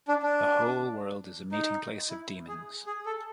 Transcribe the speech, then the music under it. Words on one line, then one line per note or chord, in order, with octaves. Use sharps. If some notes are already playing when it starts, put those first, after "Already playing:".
The whole world is a meeting-place of demons.
D4
D4
D#4
E4
G#4
G#4
A4